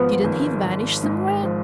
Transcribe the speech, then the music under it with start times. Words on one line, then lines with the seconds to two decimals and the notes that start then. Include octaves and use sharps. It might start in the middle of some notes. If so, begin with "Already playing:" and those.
"Didn't he vanish somewhere?"
Already playing: G#1 G#2 F3 B3
0.24 G#1
0.64 G#1
1.03 G#2
1.43 F3